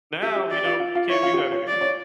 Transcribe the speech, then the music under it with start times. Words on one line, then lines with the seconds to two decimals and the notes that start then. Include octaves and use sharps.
Now, you know, you can't do that anymore.
0.22 G4 E5
0.36 G4
0.51 G4 D5
0.65 F4
0.80 F4
0.95 F4
1.09 E4 C#5
1.23 F4
1.33 G4
1.38 F4
1.52 C#5
1.67 D5
1.81 C#5